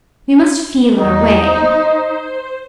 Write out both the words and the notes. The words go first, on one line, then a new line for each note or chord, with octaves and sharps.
We must feel our way.
E2 G3 D#4
C5